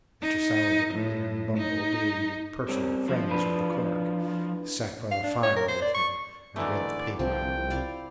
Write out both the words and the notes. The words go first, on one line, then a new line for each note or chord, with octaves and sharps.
Mr. Sowerberry and Bumble, being personal friends of the clerk, sat by the fire with him, and read the paper.
D#4
A2
D#4
G3 C4 C#4
G2 F3
A2 D4 B4
F5
D4
C#5
A#4
C5
D5
C#6
D3 E3 A3 D#4 A#4 D5
C2 F3 C4 G5
E4 D5 F5